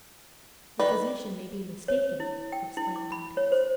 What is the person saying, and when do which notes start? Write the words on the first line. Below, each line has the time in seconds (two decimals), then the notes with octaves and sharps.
"The physician may be mistaken!" exclaimed Dantes.
0.80 D#3 B4 D5
1.88 C#5
2.20 E4
2.52 G5
2.77 E4
2.96 D6
3.12 B5
3.37 C#5
3.52 C5